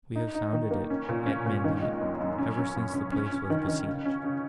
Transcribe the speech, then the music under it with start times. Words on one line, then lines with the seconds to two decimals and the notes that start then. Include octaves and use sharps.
We have sounded it, at midnight, ever since the place was besieged.'
0.16 D#4
0.35 D#4
0.53 D#3
0.71 A#3
0.90 C#4
1.09 A#2
1.26 C#4
1.46 A#2
1.64 D#3
1.82 G#3
2.01 F#2
2.20 F#2
2.38 C#4
2.57 C#4
2.76 F#2
2.94 C#4
3.12 C#4
3.32 C#4
3.50 D#3
3.68 D#3
3.87 C#3
4.05 C#4
4.24 C#3